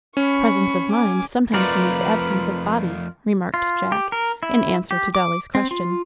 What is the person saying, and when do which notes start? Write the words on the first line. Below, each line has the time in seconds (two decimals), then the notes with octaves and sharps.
"Presence of mind sometimes means absence of body," remarked Jack, in answer to Dolly's question.
0.17 C#4 B5 C#6
0.92 G#5 D6
1.54 F2 A3 F4 A#4 B4 D5
3.54 F4
3.92 G4
4.12 A#4
4.43 E4
4.91 G4
5.15 D6
5.55 C4
5.71 F4